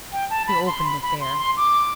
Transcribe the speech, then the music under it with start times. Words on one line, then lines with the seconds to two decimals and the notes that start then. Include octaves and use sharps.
He opened it there.
0.12 G5
0.30 A5
0.47 B5
0.67 C6
0.84 B5
1.02 B5
1.21 C6
1.38 C6
1.57 D6